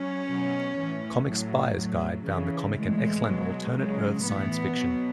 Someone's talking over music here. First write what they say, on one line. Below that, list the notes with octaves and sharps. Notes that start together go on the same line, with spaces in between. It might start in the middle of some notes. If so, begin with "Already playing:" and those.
Comics Buyer's Guide found the comic an excellent alternate-Earth science fiction.
Already playing: F#3 C#4
B2 F#3
A2 E3
A2 F#3
A2 F#3
C#3 E3
A2 E3 G#3
B2 F#3
C#3 F#3 G#3
A2 E3 B3
B2 F#3